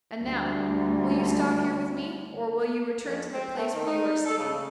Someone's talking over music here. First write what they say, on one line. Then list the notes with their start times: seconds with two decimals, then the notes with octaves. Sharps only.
And now, will you stop here with me, or will you return to the place where you are staying?
0.21 D2 G3
3.05 F2
3.31 C4
3.57 A3
3.72 D#3
3.87 D#4
4.26 A4
4.38 C#3